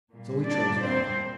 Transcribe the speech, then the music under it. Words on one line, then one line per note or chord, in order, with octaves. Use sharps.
So he trudged on.
A#2 G3 A#3
D4 D5
C4 C5